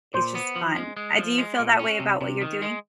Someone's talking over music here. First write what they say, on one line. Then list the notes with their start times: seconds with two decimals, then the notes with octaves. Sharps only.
it's just fun. I Do you feel that way about what you're doing?
0.14 A#2 C5
0.35 B3
0.56 F3
0.76 G#3
0.97 G#3
1.18 F3
1.38 G#3
1.59 A#2
1.79 C#4
2.00 C3
2.21 C3
2.41 D#3
2.62 G#3